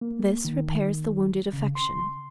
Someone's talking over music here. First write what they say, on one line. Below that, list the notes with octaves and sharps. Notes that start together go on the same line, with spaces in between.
This repairs the wounded affection.
A#3
D#3
C#3
C6